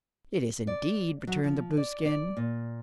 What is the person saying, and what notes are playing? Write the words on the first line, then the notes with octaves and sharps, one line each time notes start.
"It is, indeed," returned the Blueskin.
D5
F#3
F3
D5
D5
A#2